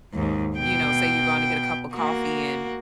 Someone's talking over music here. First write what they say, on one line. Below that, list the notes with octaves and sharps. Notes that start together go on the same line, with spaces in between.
You know, say you're going to get a cup of coffee, and
D#2 G#2
B2 G5
A#3 F#4